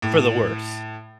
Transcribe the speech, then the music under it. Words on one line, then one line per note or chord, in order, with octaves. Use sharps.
for the worse.
A2